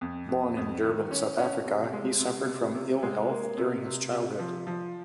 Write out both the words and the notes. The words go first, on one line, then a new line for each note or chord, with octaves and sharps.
Born in Durban, South Africa, he suffered from ill-health during his childhood.
F2
F2
F2
D#3
C#4
C#4
C3
G#3
C3
C3
C3
G#3
A#3
C3
C3
C3
F3
F3